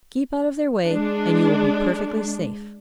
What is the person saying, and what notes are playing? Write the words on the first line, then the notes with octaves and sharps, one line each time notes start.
Keep out of their way and you will be perfectly safe.
G#3 D4